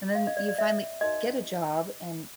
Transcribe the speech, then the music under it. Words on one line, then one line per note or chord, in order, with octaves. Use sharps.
and then you finally get a job, and
F5
D#5
D5
D5
E5
D#4 F#4 A#4 C#5 D#5